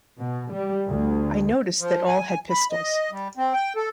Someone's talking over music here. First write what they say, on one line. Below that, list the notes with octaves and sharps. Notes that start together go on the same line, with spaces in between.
I noticed that all had pistols.
B2
G3
D2
F3
G#5
B5
D#5
G3
C4
G5
A4